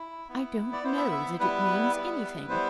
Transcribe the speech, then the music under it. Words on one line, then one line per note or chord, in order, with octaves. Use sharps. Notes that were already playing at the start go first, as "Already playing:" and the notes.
'I don't know that it means anything.
Already playing: E4
B3 E4
D5
B3 E4 C5
E5
E5
G3 B3 E4 B4
G3 B3 E4
G3 B3 E4 C5